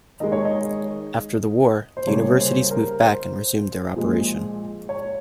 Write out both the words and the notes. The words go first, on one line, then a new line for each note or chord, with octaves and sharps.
After the war, the universities moved back and resumed their operation.
D#3 G#3 D#5
C#5
D#5
C5
C#3 G3 A#3 C#5
C5
A#4
C5
A#2 F3 G#3
C#5